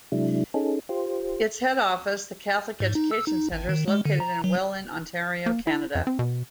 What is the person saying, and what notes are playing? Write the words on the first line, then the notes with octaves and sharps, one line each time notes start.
Its head office, the Catholic Education Centre, is located in Welland, Ontario, Canada.
C3 F#3 G#3 D4 E4
C#4 D#4 G#4 A4
F4 G4 C5
G#2
D#4
E6
D#4
G#1
D#3
G#3
D3
A#5
F#3
A#3
E4
F2
C4
B2